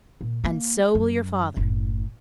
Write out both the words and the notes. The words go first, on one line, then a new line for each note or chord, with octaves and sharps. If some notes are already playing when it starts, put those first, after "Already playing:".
"And so will your father."
A#2
A#3
F#2
F#1 A2